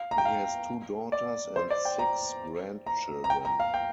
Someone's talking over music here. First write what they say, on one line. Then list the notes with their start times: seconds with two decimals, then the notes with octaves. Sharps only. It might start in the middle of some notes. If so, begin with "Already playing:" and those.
He has two daughters and six grandchildren.
Already playing: F5
0.11 A#5
0.18 G5
0.25 F5
1.12 D5
1.56 C5
1.70 D5
1.85 G5
1.99 A#5
2.87 A#5
3.24 A#5
3.30 G5
3.45 A#5
3.60 F5
3.74 G5